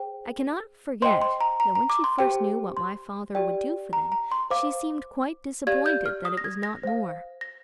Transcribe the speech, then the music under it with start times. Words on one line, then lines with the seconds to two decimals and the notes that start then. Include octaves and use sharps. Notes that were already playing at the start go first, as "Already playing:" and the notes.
I cannot forget that, when she first knew what my father would do for them, she seemed quite disappointed that it was not more.
Already playing: G#4 C5 G5
1.02 C5 D#5 G5 C6
1.22 C6
1.41 A#5
1.60 A#5
1.75 A#5
1.90 D6
2.04 C6
2.19 G4 C5 G5
2.77 C6
3.35 G4 D5 G5
3.93 A#5
4.12 A#5
4.32 C6
4.51 C5 F5 D6
5.67 G4 D5 F5 G#6
5.86 G6
6.06 F6
6.25 D#6
6.37 A#6
6.44 G#6
6.63 A#6
6.83 C5 F5
7.41 A#6